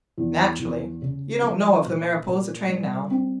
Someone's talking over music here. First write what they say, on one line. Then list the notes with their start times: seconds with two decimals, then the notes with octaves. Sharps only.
Naturally you don't know of the Mariposa train now.
0.18 E2
0.59 E2
1.02 C#3
1.42 F3
1.85 A#2
2.26 A#2
2.68 G3
3.11 C4